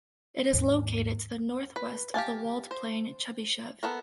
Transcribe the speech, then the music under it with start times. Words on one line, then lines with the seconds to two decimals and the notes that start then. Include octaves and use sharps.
It is located to the northwest of the walled plain Chebyshev.
0.53 D#2 G#2
1.76 B4
2.14 G4 F5 G#5 A5
2.71 C5
3.83 B3 A4 A#4